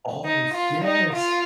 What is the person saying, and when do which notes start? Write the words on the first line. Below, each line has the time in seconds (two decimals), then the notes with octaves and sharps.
Oh, yes!
0.25 D#4
0.55 F4
0.84 D#4
1.14 F4